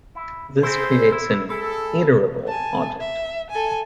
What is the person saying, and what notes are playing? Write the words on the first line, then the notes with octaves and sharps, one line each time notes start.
This creates an Iterable object.
E4
C4 E4 G#4 C5
E4
E4 G#4 A4
G#5 A5
E5
A4 G#5